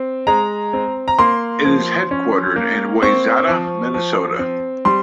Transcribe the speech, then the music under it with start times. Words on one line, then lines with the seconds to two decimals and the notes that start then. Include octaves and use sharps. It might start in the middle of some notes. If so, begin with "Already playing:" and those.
It is headquartered in Wayzata, Minnesota.
Already playing: C4
0.27 G#3 A#5
0.73 C4
1.08 A#5
1.19 A#3 C6
1.65 F3
2.11 C#4
2.56 A#3
3.02 C4 C#6
3.48 F3
3.94 F3
4.39 C4
4.85 G3 C6